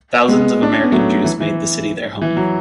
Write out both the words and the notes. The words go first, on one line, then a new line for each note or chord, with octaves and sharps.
Thousands of American Jews made the city their home.
G#3 B3
D4
C#4
B3
F#3 A3
E3
E3
E3
F#3